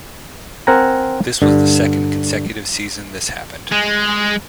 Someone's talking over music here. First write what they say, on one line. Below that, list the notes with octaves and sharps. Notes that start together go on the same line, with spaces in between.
This was the second consecutive season this happened.
C4 A#4 F#5 G#5 A#5
G2 D3
G#3